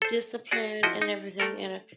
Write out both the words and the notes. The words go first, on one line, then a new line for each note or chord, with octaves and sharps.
Discipline and everything and a
A4 C5
F#4 G#4 D5
F3 E4 F#4 D#5
D#4
A3 A4 A#4